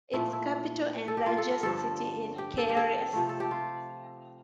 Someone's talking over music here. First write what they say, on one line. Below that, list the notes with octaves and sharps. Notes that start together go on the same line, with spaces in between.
Its capital and largest city is Kielce.
A#2 F3 A3 E4
E4
A4
G4
F4
A4
A#4
G2 D3 F3 A4
G4
A4
G4
A4
C3 F3 A3
A4
G4
F4